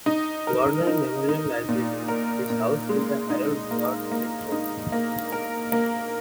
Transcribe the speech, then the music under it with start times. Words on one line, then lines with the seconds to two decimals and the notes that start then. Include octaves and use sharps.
Warner Memorial Library is housed in the Harold Howard Center.
0.06 D#4
0.47 A#4
0.87 D#4
1.29 D#4
1.69 A#2
2.08 A#4
2.50 A#2
2.89 G#3
3.30 D#4
3.71 A#3
4.12 A#3
4.52 D#4
4.92 A#3
5.32 A#4
5.72 A#3